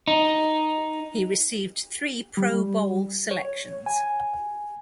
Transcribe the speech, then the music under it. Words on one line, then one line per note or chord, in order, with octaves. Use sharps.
He received three Pro Bowl selections.
D#4
G3
C#5
G#5